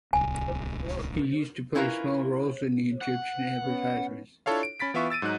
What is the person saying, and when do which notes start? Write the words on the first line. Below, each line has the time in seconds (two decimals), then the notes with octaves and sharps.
He used to play small roles in the Egyptian advertisements.
0.13 D1 C2 G#5
1.75 C#4 E4 F4 A#4 B4
3.01 F#5
3.60 B3 C#4
4.46 D4 E4 F4 A4 C#5 F5
4.63 D7
4.79 C#4 B5 A6 B6 D7
4.94 E3 B3 F4 E5 C#6
5.10 E6 A6 D7 D#7
5.22 G#2 F#3 D#4 F#6